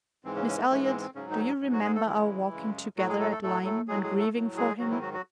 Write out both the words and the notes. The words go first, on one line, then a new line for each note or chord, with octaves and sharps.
Miss Elliot, do you remember our walking together at Lyme, and grieving for him?
G#2 E3 G#3 C4
C#3 C#4
C#3 C#4
A3
G#2 E3 G#3 A3
C4
C4
G#2 C#3 F#3 C#4
D#3 D#4
G#2 F#3
F#3 F#4
G#3 G#4
A3 A4
F#2 C#3 E3 G#3 E4
F#2 C#3 G#3
A2 F#3 F#4
G#3 G#4
A3 A4
A3 A4
A2 F#3 A3 A4
A3 A4
A2 F#3 G#3 G#4
G#3 G#4
A3 A4
A2 F#3
G#3 G#4
G#2 D#3 F#3 F#4
E3 E4
F#3 F#4
F#3 F#4